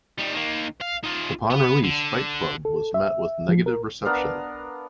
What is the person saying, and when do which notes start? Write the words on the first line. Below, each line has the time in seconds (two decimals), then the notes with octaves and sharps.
Upon release, "Fight Club" was met with negative reception.
0.18 D#3 G3
0.34 D#3 A#3
0.81 F5
1.04 D#4 F4
1.50 B3 B4
1.84 D3
2.65 A4
2.94 E5
3.49 F3
3.66 A#4
4.05 B3 D4 A#4 F5